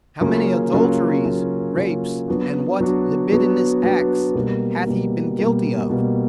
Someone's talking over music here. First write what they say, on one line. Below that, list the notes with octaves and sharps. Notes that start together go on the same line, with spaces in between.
How many Adulteries, Rapes, and what Libidinous Acts hath he been guilty of?
C#3 F#3 A#3 C#4 F4
C#3 F#3 A#3 C#4 F4
C#3 F#3 A#3 C#4 F4
C#3 F#3 A#3 C#4 F4
F#3 B3 D4 F#4
F#3 B3 D4 F#4
F#3 B3 D4 F#4
F#3 B3 D4 F#4
B2 G3 A#3
B2 G3 A#3
B2 G3 A#3
B2 G3 A#3